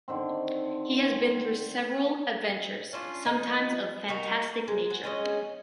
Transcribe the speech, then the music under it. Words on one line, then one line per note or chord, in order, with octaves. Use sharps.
He has been through several adventures,sometimes of fantastic nature.
D3 D#3 C4
C#4 D4 F4
F3 D#4
D#4 F#4 A#4
G#3
F#4
G#3 C#4 C#5 D#5